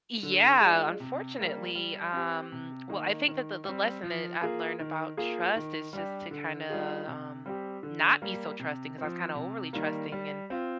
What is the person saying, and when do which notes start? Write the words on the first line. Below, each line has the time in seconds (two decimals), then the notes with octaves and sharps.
Yeah, unfortunately, um, well, I think that the the lesson that I've learned about trust is just to kinda, um, not be so trusting 'cause I was kinda overly trusting and
0.23 D3
0.61 G#3 D4 F4
1.00 C3
1.38 G3 A#3
1.75 G3
2.13 C4 G4
2.52 C3
2.89 D#3 A#3 D#4
3.28 D#3
3.66 G3 C4
4.03 F3
4.42 A#3 F4 G#4
4.80 D#3
5.17 A#3 F4 G#4
5.56 D#3
5.93 G3 D4 G4
6.31 D3
6.70 G3 D4 F4 G#4
7.07 C3
7.46 G3 C4 G4
7.83 D3
8.22 G3 A#3
8.60 C3
8.98 F3 C4
9.35 C3
9.73 D#3 G3 A#3
10.12 G3
10.50 C4 F4